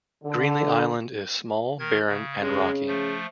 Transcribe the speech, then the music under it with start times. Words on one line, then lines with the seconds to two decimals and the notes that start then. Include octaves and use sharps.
Greenly Island is small, barren and rocky.
0.24 D3
1.79 D#3 A#4 G#6
2.08 C#3
2.42 F2 C#3 G#3
2.87 F3 A3